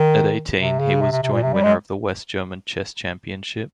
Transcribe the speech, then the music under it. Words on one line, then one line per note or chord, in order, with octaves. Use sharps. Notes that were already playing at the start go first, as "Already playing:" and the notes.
At eighteen, he was joint winner of the West German Chess Championship.
Already playing: D#3
C3
C#3
C3
C3
C3
A#2
C3
G3
G#3